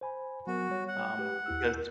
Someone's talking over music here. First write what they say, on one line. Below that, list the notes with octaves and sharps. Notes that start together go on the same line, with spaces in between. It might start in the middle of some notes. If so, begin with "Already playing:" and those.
um, because
C5 G#5 B5
F#3 B3 F#4 A#4
G3 C#5
F#5
G4 B4
D#2 E4 E6